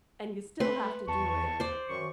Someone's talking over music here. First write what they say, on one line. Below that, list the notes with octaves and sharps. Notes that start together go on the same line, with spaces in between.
and you still have to do it,
A3 B4 C6
E2 A5 C#6
C5 D5
F#2 D#3 C#6